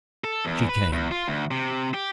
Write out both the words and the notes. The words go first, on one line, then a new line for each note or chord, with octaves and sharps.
She came.
A4
E2
B4
E2
F4
D2
C3
G4